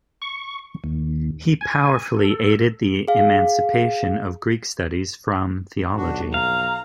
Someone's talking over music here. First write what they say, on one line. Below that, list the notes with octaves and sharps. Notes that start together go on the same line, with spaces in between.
He powerfully aided the emancipation of Greek studies from theology.
C#6
D#2
G#5
A4
G#4 F5
B1 D4 F#4
F2 F5 A#5